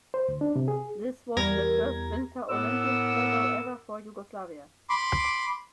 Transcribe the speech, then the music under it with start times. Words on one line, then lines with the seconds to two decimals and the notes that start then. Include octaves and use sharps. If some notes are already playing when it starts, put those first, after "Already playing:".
This was the first Winter Olympics medal ever for Yugoslavia.
0.14 C5
0.28 D2
0.41 D4
0.56 C3
0.68 G#4
1.37 E2 G3 A#4 G#6 A#6
2.50 A2 B3 A#4 F#5 D6 E6
4.90 B5 C6 D6